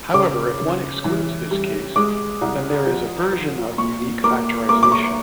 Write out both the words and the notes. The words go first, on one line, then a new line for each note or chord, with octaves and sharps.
However if one excludes this case then there is a version of unique factorization.
C#3 D6
C#3
E3
G3
G#3 D6
C2
F3
F3
A#2 C#6
A#3 D6
A#3 D6
D6
C#6